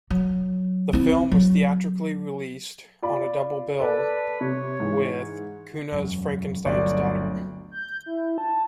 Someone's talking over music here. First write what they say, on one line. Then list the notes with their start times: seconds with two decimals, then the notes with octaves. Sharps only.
The film was theatrically released on a double bill with Cunha's "Frankenstein's Daughter".
0.10 F#3
0.93 C4 E4
1.31 F#3
3.02 F4 D5 B5
3.80 A4 B4 D5 A5
4.41 C3 C#5
4.80 G#2 E3
5.92 E1 F#2
6.65 G1 D2 F#3 D5
7.71 G6
8.06 E4
8.38 A5